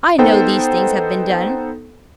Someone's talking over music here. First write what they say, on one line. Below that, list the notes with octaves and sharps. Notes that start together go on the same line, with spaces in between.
I know these things have been done.
B3 D#4 A4 C5 G5